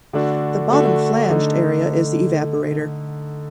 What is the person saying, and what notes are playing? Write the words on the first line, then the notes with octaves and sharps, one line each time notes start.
The bottom flanged area is the evaporator.
D3 A3 D4 F#4
D3 A3 D4 F#4
D3 A3 D#4